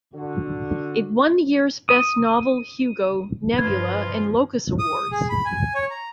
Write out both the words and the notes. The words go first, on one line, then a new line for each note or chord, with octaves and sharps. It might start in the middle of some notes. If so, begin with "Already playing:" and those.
It won the year's "Best Novel" Hugo, Nebula and Locus Awards.
D3 F#4
D#6
G2 F3 F4 B4 G#6
D#6
G#4
B5
G#5
C#5
A#5